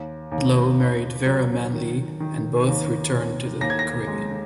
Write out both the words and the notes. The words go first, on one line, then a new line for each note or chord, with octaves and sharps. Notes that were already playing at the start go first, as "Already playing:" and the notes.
Ludlow married Vera Manley and both returned to the Caribbean.
Already playing: D#2
D#2
D#2
F#3
D#3
D#3
D#2
D#2
D#2 A#6
G#6
A#6
G#3